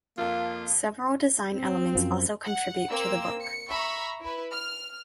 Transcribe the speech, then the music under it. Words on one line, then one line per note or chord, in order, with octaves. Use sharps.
Several design elements also contribute to the book.
F2 F3 A#3 F4
C4
F#2 F3
F#5
A#3 C4 E6
C#7
E5 A#5 B5 C#6
E4 B4
F6